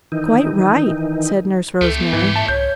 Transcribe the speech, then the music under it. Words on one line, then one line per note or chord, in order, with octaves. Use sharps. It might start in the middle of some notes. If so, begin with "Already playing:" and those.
"Quite right," said Nurse Rosemary.
D#3 E3 D#4
C#2 A3 G4 A4
B3
G#2 E3
E5 A5
C2 C#5 G6